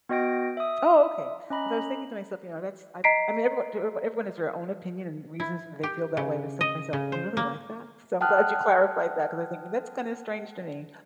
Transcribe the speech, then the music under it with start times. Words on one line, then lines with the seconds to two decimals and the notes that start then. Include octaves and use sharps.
Oh, okay. 'Cause I was thinking to myself, you know, that's I I mean, everyone d everyone has their own opinion and reasons that they feel that way. I said to myself, "You really like that?" So I'm glad you clarified that 'cause I was thinking, "That's kinda strange to me."
0.09 B3 F#4 D#5 G5 A#6 D7
0.57 E5 D#6
1.50 C#4 D#5 A#5 B5
3.04 D#5 A#5 B6 C7 D7
5.40 E4
5.83 G4
6.17 C#3
6.61 D#5
6.93 C#3
7.12 C5
7.37 A#3
8.21 F#5 G5 A5 D#6 F6 F#6